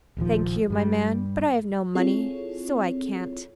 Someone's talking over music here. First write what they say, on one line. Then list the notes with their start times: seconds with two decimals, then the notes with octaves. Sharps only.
"Thank you, my man; but I have no money; so I can't."
0.17 D#1 A#1 D#2 F3
0.70 G2 G3
1.95 C4 E4 F4 G#4 A4 C#5